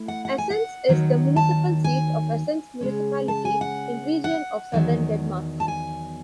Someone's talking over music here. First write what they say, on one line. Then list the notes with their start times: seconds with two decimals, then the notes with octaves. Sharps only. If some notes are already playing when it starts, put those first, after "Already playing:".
Assens is the municipal seat of Assens Municipality in Region of Southern Denmark.
Already playing: A3 E4
0.08 F#5
0.25 F#5
0.38 G#5
0.50 F#5
0.88 D#2 D#3 F#3
1.36 A5
1.84 G#5
2.81 C#3 G#3 C#4
3.28 A5
3.45 G#5
3.61 F#5
4.24 F#5
4.72 E2 D#3 F#3
5.60 A5
5.68 G#5